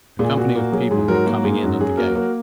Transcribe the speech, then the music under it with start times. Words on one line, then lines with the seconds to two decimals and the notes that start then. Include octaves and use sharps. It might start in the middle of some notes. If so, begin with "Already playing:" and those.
A company of people were coming in at the gate.
0.19 A#2 G#4
0.37 A#2 F#4
0.55 A#3 F#4
0.72 F#3 G#4
0.91 G#2 G#4
1.08 F#3 F#4 A#4
1.26 A#3 F#4 A#4
1.44 G#2 G#4
1.63 F#2 F#4
1.79 F#3 G#4
1.97 A#3 F#4 A#4
2.15 A#3 F#4 A#4